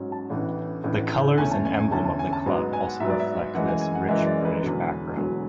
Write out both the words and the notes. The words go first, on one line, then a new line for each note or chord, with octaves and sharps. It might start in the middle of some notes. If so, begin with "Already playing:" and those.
The colours and emblem of the club also reflect this rich British background.
Already playing: G#2 F#3 C#4
A5
A1 A2 E3 B3 D4
A1 A2 E3 B3 D4
E2 D3 A3 C#4 G#5
A5
G#5
G#5
E2 D3 A3 C#4 A5
A5
G#5
A5
G#2 F#3 B3 G#5
G#5
F#5
G#2 F#3 B3 E5
D5
E5
F#2 E3 G#3 F#5
G#5
G#5
F#5
F#2 E3 G#3 E5
D5
B4
E1 E2 D3 F#3
E1 E2 D3 F#3